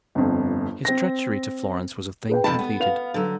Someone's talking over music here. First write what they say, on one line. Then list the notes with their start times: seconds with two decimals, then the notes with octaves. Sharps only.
His treachery to Florence was a thing completed.
0.15 G1 F2
0.85 C4 A#6
2.29 G#4 B4 G5
2.44 F2 C3 A5 B5
2.59 B3
2.80 B4 F5 F7
3.14 D3 F#3